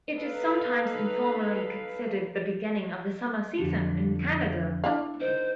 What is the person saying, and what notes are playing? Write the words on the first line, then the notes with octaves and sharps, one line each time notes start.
It is sometimes informally considered the beginning of the summer season in Canada.
D#4 A4 B4 F5
F2 D3 A4
D4 E4 F5
D#4 A#4 C5 D#5